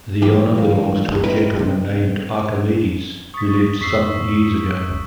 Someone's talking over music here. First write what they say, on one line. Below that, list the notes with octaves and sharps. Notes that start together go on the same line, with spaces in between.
The honour belongs to a gentleman named Archimedes, who lived some years ago.
F#2 E3 G4
C#2 A#3
D#3 E4 A#4 B4
C3
C#6 D#6 A6 B6
F2 G#2 C#6 E6 B6 C7